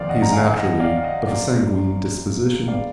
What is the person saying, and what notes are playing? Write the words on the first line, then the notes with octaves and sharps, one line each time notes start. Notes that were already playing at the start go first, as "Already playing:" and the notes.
He is naturally of a sanguine disposition.
Already playing: F1 D#2 D3 F3 D5 F5
D#5 F#5
A#5
F5 G#5
G#5
D#5 F#5
D5 F5
F5
D#5 F#5
F#2 F3 A#3 D5 F5
D3 G#3 B3 D4 D5 F5